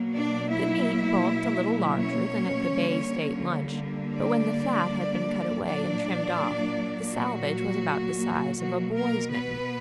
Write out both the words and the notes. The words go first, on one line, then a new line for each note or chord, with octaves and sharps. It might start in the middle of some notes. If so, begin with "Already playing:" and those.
The meat bulked a little larger than at the Bay State Lunch, but when the fat had been cut away and trimmed off the salvage was about the size of a boy's mitten.
Already playing: B2 F#3 A#3
D4 D5
E4 E5
C#4 C#5
D3 G3 A#3
D4 D5
A#2 F#3 A#3 D4 D5
F#3 F#4
B2 F#3 A#3 F#4
A#3 A#4
B3 B4